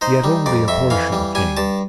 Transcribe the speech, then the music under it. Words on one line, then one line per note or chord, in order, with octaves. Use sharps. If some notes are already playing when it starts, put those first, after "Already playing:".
Yet only a portion came.
D#4 C5
G3
F2 D5
F2 E5
E3 F5
G3
G3 G#5
G2 A5